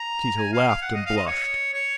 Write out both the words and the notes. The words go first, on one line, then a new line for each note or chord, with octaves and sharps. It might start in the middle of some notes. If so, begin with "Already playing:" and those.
Tito laughed and blushed.
Already playing: A#5
G#5
F5
F5
F#5
D#5
F5
D#5
C#5
C#5